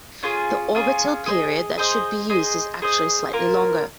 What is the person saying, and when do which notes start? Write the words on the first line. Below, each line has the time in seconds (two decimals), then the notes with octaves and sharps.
The orbital period that should be used is actually slightly longer.
0.23 C#4 F4 G#4
0.75 C#4 F4 G#4
1.26 G#4 C5 D#5
1.78 G#4 C5 D#5
2.30 G#4 C5 D#5
2.82 G#4 C5 D#5
3.33 A#3 F4 A#4